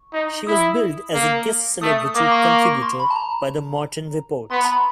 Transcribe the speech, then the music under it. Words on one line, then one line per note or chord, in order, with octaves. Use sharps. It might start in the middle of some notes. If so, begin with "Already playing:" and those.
She was billed as a "Guest celebrity contributor" by "The Morton Report".
Already playing: C#6
D#4
E4 D#6
A#3
A3 D#6
D#6
A#3 D6
C#6
D6
C#6
C6
B5
A5
A#5
B3 C6
B5
A#5
B5